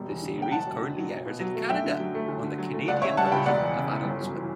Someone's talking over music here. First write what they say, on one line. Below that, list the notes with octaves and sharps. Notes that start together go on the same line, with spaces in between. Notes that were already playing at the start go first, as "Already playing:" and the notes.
The series currently airs in Canada on the Canadian version of Adult Swim.
Already playing: E1 G3
E2
D3
E1 G5
F#1 F#5 A5
F#2
D3
F#3
B1
B2
F#3
A3
F#2 E5 G5
D3
F#3
A3
D2
D3
F#3
A3
C#2 D5 F#5
C#3 C#5 E5
G3 F#5 A5
C#2 G5 B5
E1 D5 F#5
E2
C#3
E3
G1
F#2
E3